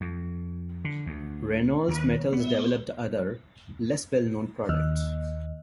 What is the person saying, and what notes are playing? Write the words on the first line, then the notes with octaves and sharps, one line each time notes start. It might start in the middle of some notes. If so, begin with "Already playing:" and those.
Reynolds Metals developed other, less well-known products.
F2
D3
D2
D#2
B3
D#2